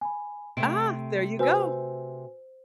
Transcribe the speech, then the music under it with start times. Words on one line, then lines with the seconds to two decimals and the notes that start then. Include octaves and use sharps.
Ah, there you go!
0.01 G#5 B5
0.57 C3 A3 D7
1.39 F#4 B4 C5 G#5 E6